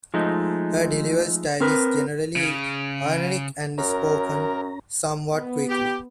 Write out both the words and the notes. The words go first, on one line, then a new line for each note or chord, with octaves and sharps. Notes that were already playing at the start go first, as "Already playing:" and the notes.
Her delivery style is generally ironic and spoken somewhat quickly.
F3 G#3 A3 D#4
C4 A#4 B4
C#3
F#2 C#4 A#4 A#5
B3
G4